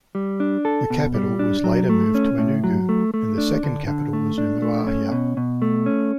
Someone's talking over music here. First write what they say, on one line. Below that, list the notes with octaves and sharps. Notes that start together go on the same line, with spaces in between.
The capital was later moved to Enugu and the second capital was Umuahia.
G3
D4
A4
B2
G3
D4
F#3
A3
C#4
A2
F#3
A3
A3
D4
D3
D3
A3
D4
A3
C#4
B2
B2
A3
C#4